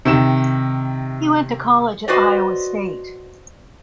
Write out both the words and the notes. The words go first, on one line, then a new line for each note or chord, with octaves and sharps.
He went to college at Iowa State.
C3 D#3 E7
F#4 B4 C5 D5 D#5